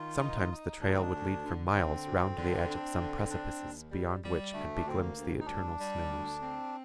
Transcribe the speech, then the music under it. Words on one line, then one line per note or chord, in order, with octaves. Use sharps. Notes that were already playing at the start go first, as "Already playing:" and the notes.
Sometimes the trail would lead for miles round the edge of some precipices beyond which could be glimpsed the eternal snows.
Already playing: D#3 F4
D#4
D#4
D2 D4
C4
D4
D2
D3
D3 C4
D2
D3
D4
D3
D4
D#2
G3
G3
D2 A3
D4
D2 C4
A#3
D2
D#4
G3 D4
G3
D2
C4